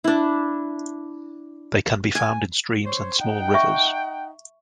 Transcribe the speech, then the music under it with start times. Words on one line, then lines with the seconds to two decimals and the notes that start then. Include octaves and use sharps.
They can be found in streams and small rivers.
0.04 D4 E4
2.15 G#5
2.85 C5 C#5
3.19 D#4 F#5 G5
3.54 E5 C#6